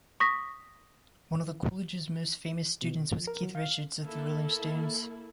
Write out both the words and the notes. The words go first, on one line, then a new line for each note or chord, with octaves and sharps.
One of the college's most famous students was Keith Richards of The Rolling Stones.
C#6 D#6 A#6 B6
B2
F3
A#4
F#3
F5
A#3 E4 A4